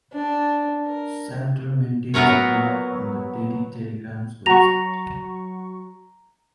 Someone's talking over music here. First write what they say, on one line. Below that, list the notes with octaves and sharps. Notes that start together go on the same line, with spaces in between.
Salter maintains a blog on "The Daily Telegraph"'s website.
D4
A#4
F#3 B3 A#4 B4 C#5
F#3 F#4 A#5 C#6 A#6 F7